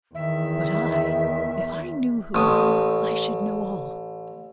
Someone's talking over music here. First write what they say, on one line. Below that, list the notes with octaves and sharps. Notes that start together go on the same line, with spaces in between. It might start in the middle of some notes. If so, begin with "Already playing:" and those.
But I--if I knew who, I should know all.
E2 D#3 E5
A1 D#6